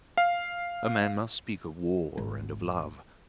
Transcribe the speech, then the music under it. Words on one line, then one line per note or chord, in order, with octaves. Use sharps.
A man must speak of war and of love.
F5
G#1